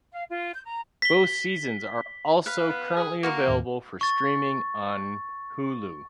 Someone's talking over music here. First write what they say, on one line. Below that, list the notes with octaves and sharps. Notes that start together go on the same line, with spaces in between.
Both seasons are also currently available for streaming on Hulu.
F5
F4
G6
A#5
B6 G7
B4 F5
B3
G#4
A#3 F#4 A#4 C6 C#7
D#2 A2 D#3
C#6 A6